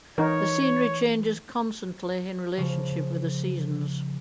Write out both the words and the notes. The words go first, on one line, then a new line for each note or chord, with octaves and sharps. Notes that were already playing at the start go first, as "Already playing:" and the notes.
The scenery changes constantly in relationship with the seasons.
E3 D#4 A#4 C#5
C#3 F3